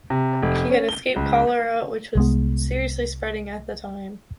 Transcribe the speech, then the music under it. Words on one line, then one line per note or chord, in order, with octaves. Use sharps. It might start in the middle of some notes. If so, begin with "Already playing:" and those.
He had escaped cholera which was seriously spreading at the time.
C3
F1
C#4
G7
C#2
C2 G#3 B3